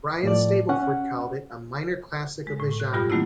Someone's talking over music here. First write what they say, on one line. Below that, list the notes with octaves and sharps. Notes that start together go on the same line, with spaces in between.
Brian Stableford called it "a minor classic of the genre".
A2 F3 D5
C#4 F#5
G#3
A2
F#6 G6
G2 B2 G3 F4 G4 B5
D#3 F#3 A3 A#3 C4 E4